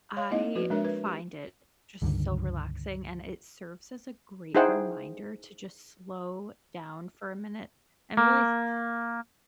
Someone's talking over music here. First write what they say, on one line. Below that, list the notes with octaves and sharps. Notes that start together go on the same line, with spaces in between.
I find it just so relaxing, and it serves as a great reminder to just slow down for a minute and really th th
C#5 F5
A#3 C4 D#4 E4 D#5
F3 F#4 B4
G#3 D4 A#4 C#5 E5
B4 E5
G4
C#2 G2 D3 D#3
D#4 E4 G#4 C5 F#5 G5
A#3